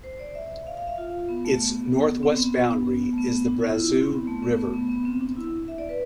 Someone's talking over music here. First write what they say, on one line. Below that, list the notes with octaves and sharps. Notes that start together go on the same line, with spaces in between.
Its northwest boundary is the Brazeau River.
C5
D5
E5
F5
F5
E5
F4
B3
A3
B3
C4
B3
B3
A3
B3
D4
E4
F4
E4
D4
C4
B3
A3
B3
A3
B3
B3
C4
D4
E4
E5
D5
B4